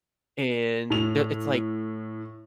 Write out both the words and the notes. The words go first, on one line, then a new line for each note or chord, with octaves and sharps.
and they'll it's like,
A2 F7